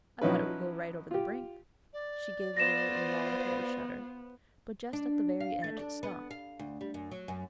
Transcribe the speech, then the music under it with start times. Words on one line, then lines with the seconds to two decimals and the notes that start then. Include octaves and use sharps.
I thought it would go right over the brink"--she gave a little involuntary shudder--"but just at the very edge it stopped.
0.21 F3 F#3 C#4 D#4 E4 B4
1.11 F4 G4
1.93 D5
2.57 B3 F4 C5 A#6 E7
4.93 D4
5.40 F5
5.64 A3
5.79 D4
6.03 B3
6.31 F5
6.59 D2
6.81 G3
6.94 F#2
7.11 F#3
7.28 F#2